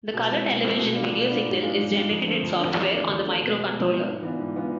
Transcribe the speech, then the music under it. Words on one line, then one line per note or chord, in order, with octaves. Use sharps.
The color television video signal is generated in software on the microcontroller.
B2
G#3 C4 E4
B2
G#3 C4 E4
B2
B3 D4 F4
B2
B3 D4 F4
G#2
G#3 D4 F4
G#2
G#3 D4 F4
F2
D3 F3 A3 C4
F2
D3 F3 A3 C4
E2
D3 A3 D4 F4
E2
D3 A3 D4 F4
B2
G#3 B3
B2
G#3 B3
G#2
E3 B3 D4 F4
G#2
E3 B3 D4 F4